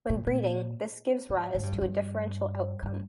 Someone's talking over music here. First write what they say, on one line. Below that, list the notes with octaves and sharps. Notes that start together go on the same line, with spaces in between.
When breeding this gives rise to a differential outcome.
A#2
A#2
G#2
G#2
G2
F2
G2
G2